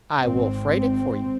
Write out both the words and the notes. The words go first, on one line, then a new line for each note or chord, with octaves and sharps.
"I will freight it for you."
G#1 G#2 C4